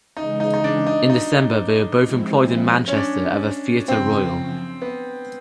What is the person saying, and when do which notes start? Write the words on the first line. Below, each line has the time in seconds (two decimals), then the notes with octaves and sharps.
In December they were both employed in Manchester at the Theatre Royal.
0.17 C#3 E3 G#3 D#4
0.40 D#4
0.54 D#4
0.64 D4
0.86 D#4
1.10 D#4
2.03 F3 G#3 C4 E4
2.88 C#4
2.96 D4
3.88 F#2 C#3 F3 C4
4.82 B3